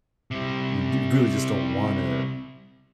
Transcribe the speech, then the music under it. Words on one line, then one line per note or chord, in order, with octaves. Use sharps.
you d you really just don't wanna
C3 G3